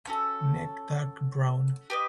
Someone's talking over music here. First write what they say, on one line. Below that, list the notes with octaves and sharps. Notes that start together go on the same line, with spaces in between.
Neck dark brown.
C#4 F#4 A4
G4 B4 D#5